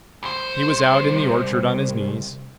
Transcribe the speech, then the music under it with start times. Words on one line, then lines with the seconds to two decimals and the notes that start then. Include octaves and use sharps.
He was out in the orchard on his knees.
0.23 C2 C5